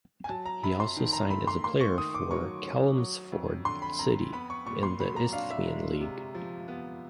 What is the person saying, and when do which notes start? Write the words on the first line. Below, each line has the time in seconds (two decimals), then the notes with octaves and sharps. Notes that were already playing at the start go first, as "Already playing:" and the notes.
He has also signed as a player for Chelmsford City in the Isthmian League.
0.24 G#5
0.30 F#3 A5
0.46 A#5
0.63 F#2 B5
0.80 C6
0.97 D#3
1.13 A#5
1.30 A3 B5
1.47 C6
1.64 A#3 C6
1.81 C#6
1.98 D#3 D#6
2.14 D6
2.31 F#3 C#6
2.65 C#4
2.98 F#3
3.32 F2
3.65 D3 C6
3.82 B5
3.99 F2 A#5
4.33 B3 B5
4.50 C#6
4.66 A#2 C#6
4.83 C6
4.99 F#3 B5
5.16 A#5
5.33 D4 F5
5.51 E5
5.67 G#3
6.00 C3
6.34 F3
6.68 B3